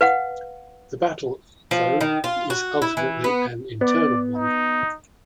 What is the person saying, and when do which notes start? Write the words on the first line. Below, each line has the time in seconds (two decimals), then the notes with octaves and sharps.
The battle, though, is ultimately an internal one.
0.01 B4 F5 F#5
1.71 F3
2.01 D#3
2.24 F4
2.50 F#4
2.82 E4
2.97 E3
3.24 B3
3.81 B3 D5
4.35 D#4